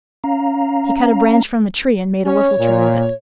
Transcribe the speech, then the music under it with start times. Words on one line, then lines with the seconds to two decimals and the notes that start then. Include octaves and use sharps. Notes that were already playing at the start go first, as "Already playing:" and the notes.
He cut a branch from a tree and made a whiffle-tree of it.
0.24 C#4 F5 A#5
2.25 C#4 C#5
2.59 A#2